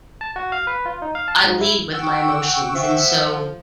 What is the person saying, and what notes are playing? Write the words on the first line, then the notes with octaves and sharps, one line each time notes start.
I lead with my emotions, and so,
A5
F#4
F5
B4
F4
D#4
F5
A5
G#2
E4
F#5 G5 C#6 E6
F3 E5